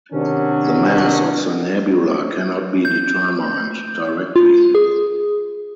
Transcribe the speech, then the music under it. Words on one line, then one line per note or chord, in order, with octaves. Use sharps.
The mass of the nebula cannot be determined directly.
C3 D#3 F#3 C#4 D4
G6
F4
G#4